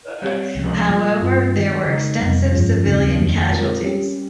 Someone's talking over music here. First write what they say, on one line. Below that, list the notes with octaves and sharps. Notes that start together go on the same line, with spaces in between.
However, there were extensive civilian casualties.
G3 C4 G4 C#5
C#2 C3 F3 G#3 C#4
A#2 G3 A#3 F4
G2 G3 C4 F4
D#3 G#3 D#4
C#3 G#3 D#4 A#4 D#5
F2 C3 G3
G2 F3 G#3 C#4 F4
D#2 C#3 F3 C4 D#4
F2 D#3 A#3
A#2 G#3 C4 F4 A#4
G3 C#4 G4